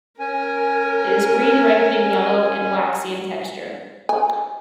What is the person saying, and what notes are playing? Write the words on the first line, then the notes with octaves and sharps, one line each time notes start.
It is green, ripening yellow, and waxy in texture.
C#4 A#4 G#5
G#5